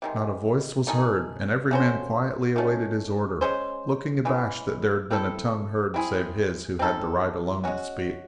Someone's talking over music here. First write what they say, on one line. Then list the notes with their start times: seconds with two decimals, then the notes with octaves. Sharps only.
Not a voice was heard, and every man quietly awaited his order, looking abashed that there had been a tongue heard save his who had the right alone to speak.
0.02 C3 D#3 G#3
0.87 D#3 A3 D#4 G#4
1.71 A3 C#4 F#4 C5
2.56 D#3 A3 C#4
3.41 G#3 C#4 G#4 C5
4.25 C#3 E3 G#3
5.11 A3 C4 E4 A4
5.94 C4 E4 G#4
6.79 C4 D#4 A4
7.64 G#3 C#4 F#4